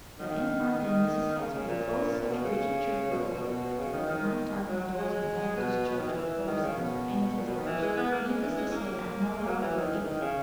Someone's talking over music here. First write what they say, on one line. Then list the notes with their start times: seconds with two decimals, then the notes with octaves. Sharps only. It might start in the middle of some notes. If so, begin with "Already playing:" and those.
But Aunt Martha and Mrs. Saxby are both such rigid church people that they would not darken the doors of the Methodist church at Plover Sands for any consideration. Needless to say, I am not allowed to go either.
0.19 D#3
0.79 D#3
1.38 C#3
1.53 C#3
1.68 A#2
2.28 B2
2.44 C#3
3.10 B2
3.18 A#2
3.33 B2
3.42 A#2
3.48 B2
3.78 C#3
3.93 D#3
4.07 D#3
4.68 F#3
4.98 G#3
5.57 B2
5.87 B2
5.98 D#3
6.07 E3
6.17 E3
6.47 D#3
6.63 C#3
6.77 B2
7.37 A#2
7.46 B2
7.57 D#3
7.66 E3
7.82 G#3
7.97 B3
8.11 A#3
8.27 G#3
8.41 E3
8.57 G#3
8.72 A#3
9.38 G#3
9.46 F#3
9.61 E3
9.77 D#3
9.92 E3
10.06 D#3
10.21 C#3